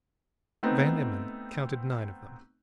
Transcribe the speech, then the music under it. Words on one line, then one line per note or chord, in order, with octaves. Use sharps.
Van Emmon counted nine of them.
A3 B3 C4 D#4